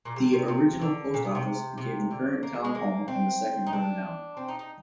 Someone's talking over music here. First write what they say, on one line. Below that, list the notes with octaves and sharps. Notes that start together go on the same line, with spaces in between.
The original post office became the current town hall, and the second burned down.
A#2
C3
C3
C3
D3
A#2
C3
C3
C3
D3
A#3
G#3
G#3
A#3
C4
D#4
D4
C4
D#4
D#4